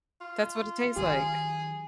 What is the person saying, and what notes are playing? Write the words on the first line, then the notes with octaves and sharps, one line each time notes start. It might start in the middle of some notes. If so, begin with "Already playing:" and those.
That's what it tastes like.
F4
D#3 F#3 G4 G#4